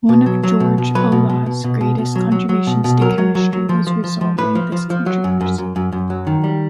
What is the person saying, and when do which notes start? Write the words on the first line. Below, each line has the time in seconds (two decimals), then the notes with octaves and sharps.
One of George Olah's greatest contributions to chemistry was resolving this controversy.
0.09 B2
0.26 F#3
0.43 F#3
0.60 B2
0.78 B2
0.95 F#3 B4
1.12 B2
1.30 B2
1.46 B2
1.64 B2
1.81 B2
1.98 B2
2.15 F#3
2.32 F#3
2.49 F#3
2.67 B2
2.84 B2
3.01 F#3 A#4
3.18 F#3
3.35 F#3
3.53 F#3
3.69 F3
3.87 F3
4.04 F3
4.21 F3
4.38 A2 B4
4.55 F3
4.72 F3
4.90 F3
5.06 F#3
5.24 F#2
5.41 F#2
5.58 F#2
5.76 F#2
5.92 F#2
6.10 F#3
6.27 D#3
6.44 G3